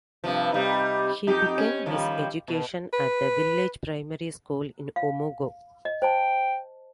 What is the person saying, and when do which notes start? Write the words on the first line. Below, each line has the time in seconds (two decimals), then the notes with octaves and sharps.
He began his education at the village primary school in Umuagu.
0.24 G2 C3 F3
0.52 C3 G3 D#4
1.27 F2 D#4 G4
1.58 C#4
1.86 D#3 F3 G3
2.48 B2
2.93 B4
4.96 F5
5.85 D#5
6.02 C5 G5 A5